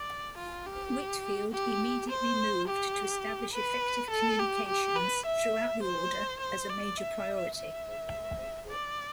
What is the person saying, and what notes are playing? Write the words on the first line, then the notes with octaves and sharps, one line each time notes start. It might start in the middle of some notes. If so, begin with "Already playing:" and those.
Whitfield immediately moved to establish effective communications throughout the order as a major priority.
Already playing: D5
F4
G4
G4
C5
G4
B4
A4
G4
G4
B4
E5
C5
C5
D5
E5
E5
D5